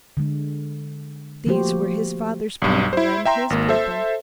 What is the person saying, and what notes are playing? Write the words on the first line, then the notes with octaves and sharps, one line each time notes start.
These were his Father's people and his people.
D3 G#3
F3 A3 A#3 F#4 G4 C5
B1 G2
E4 C5
E5 G5 A#5 C6
G#1 A#3
A4 C5 E5